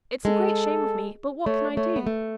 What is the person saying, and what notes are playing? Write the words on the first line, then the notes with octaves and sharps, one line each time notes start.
It's a great shame of me; but what can I do?
G#3 A4
A3 C#5
A3 C#5
B3
A3